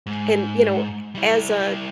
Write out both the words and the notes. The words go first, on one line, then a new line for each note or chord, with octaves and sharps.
and, you know, as, uh,
G#2
G3 E4